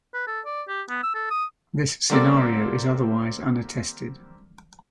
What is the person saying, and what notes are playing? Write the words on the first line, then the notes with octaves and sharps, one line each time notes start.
This scenario is otherwise unattested.
B4
A4
D5
G4
B3
E6
A4
D#6
D3 G3 A#3 C4 A4 D5